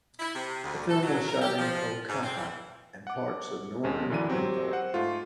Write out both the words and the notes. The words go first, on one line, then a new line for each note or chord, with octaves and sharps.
The film was shot in Kolkata and parts of North Bengal.
E4
C3
D2
A4
F#3
A#4
G4
F3
G#2
C4
E3
F#5 D6
D#2 G#3 C#4
F#2 D3 E3 D4 D#7
F#3 C4 G4
C5 F#5
G#2 A3 F4